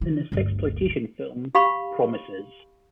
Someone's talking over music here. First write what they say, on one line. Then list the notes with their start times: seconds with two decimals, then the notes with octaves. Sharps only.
In the sexploitation film Promises!
0.01 C#3 E3
0.32 G1 D2
1.55 G4 F5 B5 C#6